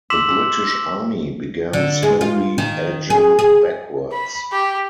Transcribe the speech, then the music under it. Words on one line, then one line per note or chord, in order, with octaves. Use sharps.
The British army began slowly edging backwards.
C6 D6 E6 B6 E7 F#7
D3
G#3
F4
D#3
G#4
G#4
B5
G4